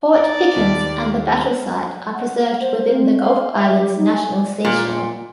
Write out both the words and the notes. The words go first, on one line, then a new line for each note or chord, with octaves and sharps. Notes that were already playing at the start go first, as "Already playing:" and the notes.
Fort Pickens and the battle site are preserved within the Gulf Islands National Seashore.
D#4 D5 A#5
D#2 G3 A5
F#5
C5
C4
F5
E5
G4
D#4
G#5
A#2